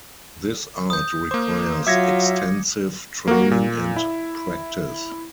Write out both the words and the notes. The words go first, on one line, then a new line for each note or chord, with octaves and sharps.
This art requires extensive training and practise.
D#6 G6
A#3 C5 D6
F#3 F4 E5 D6 G#6 A#6 C#7
A#3 F#4
A#2
E4